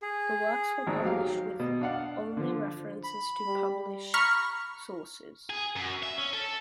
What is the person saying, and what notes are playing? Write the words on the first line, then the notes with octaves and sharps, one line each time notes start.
The works were published with only references to published sources.
G#4
G#1 G#2
F#3 G4 F5
B2
D4 F5 F#5
D3 F3
B5
G3
A#5 B5 C#6 F6
G#4
F#2
E5
C#4
A4